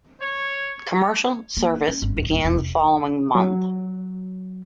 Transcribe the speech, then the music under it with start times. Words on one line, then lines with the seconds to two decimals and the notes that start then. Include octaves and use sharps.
Commercial service began the following month.
0.20 C#5
1.57 A#3
1.88 C#4
2.02 G1
2.17 D1
2.31 D#1
2.45 E1
2.58 C3
3.35 F#3